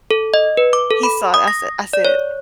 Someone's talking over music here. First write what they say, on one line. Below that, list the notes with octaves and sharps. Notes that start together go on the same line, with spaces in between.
he saw it, I said I said
A4
D#5
B4
D6
A4
B5
D#6
A#6
D5
C#5